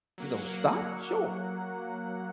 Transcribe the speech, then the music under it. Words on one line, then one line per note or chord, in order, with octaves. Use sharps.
you know, stopped? Sure,
F#3 A#3 F#5